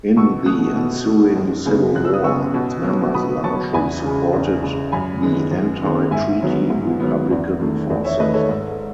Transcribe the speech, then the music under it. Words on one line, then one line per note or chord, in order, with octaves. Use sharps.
In the ensuing Civil War, its members largely supported the anti-Treaty Republican forces.
B2 C#6 E6
A3 D#6 F#6
B2
A3
F#2
C#3 G#3 B3
F#2 F#6
E6
D#6
C#3 G#3 B3 C#6 E6
B2
F#3 B3
B2 B5 D#6
F#3 B3 A5 C#6
E2 G#5 B5
C#3 G#3
E2
C#3 G#3
F#2 G#5 B5
D#3 G#3 B3
F#2
D#3 G#3 B3
G#2 E5 G#5
D#3 F#3 B3
G#2
D#3 F#3 B3
E2
D#3 A3
E2
C#5 E5
D#3 A3 B4 D#5
A4 C#5
G#2 A4